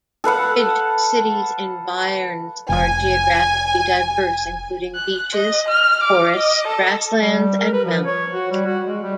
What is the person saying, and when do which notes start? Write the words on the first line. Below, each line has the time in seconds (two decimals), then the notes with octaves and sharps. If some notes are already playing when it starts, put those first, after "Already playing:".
Ridge City's environs are geographically diverse, including beaches, forests, grasslands and mountains.
0.24 A4 B4 F5 F#5
2.69 F1 G#5
4.95 F#6
5.33 D#5
5.68 F6
6.03 D6
6.34 D#5
6.67 A4
7.22 G3
7.59 A#4
7.73 B4
7.85 F3
8.06 C#5
8.34 F#4
8.52 G3
8.66 F#4
8.85 G#3
9.04 G3